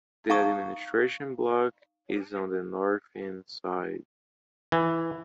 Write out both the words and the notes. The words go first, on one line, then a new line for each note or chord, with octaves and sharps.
The administration block is on the northern side.
D#4 F5 A5 A#5 C#6 D#6
E3